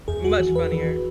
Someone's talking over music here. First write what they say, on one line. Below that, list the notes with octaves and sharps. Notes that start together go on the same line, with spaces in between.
Much funnier.
E2 G#4
F#4
E3
B4
E3